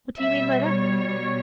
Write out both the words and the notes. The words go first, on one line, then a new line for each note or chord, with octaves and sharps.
"What do you mean by that?"
B2 G3 E5
C#5